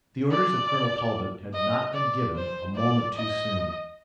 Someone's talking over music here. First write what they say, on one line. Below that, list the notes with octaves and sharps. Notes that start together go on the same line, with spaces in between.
The orders of Colonel Talbot had not been given a moment too soon.
D5
D#5
D5
C5
D5
D#5